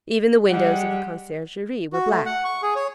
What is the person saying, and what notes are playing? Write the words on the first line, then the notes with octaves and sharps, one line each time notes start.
Even the windows of the conciergerie were black.
G3 G#3 G4 F#5
F#4
A3
F#5
C#6
G#4
C#5